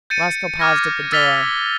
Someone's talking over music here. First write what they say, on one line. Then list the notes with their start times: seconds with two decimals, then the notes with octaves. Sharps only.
Roscoe paused at the door.
0.10 G6 A6 C#7 D#7
0.59 D6 F6 G#6 A#6
1.12 E6 F6 A6 B6 F7 G7